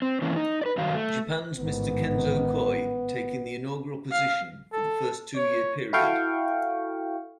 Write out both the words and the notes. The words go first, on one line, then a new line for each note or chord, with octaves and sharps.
Japan's Mr. Kenzo Koi taking the inaugural position for the first two-year period.
C4
E3 A#3 C#4
D#4
B4 D5
G2 D#3 F#3 F5
A3
A1 G#2 D#3 B3
F5
A4
C#5
E4 F#4 A4 F5 G5 C#6